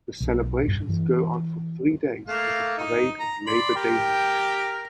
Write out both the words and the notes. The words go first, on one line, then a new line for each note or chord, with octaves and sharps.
The celebrations go on for three days with a parade on Labour Day Monday.
B1
G2
E3
A3 A#3 F5
D#4
A#5
D5 B5 C6
G4 A#4 G5